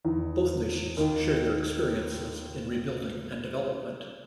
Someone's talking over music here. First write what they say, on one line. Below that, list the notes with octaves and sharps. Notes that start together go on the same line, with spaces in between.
Both nations share their experiences in rebuilding and development.
E2 E3
D#2 D#3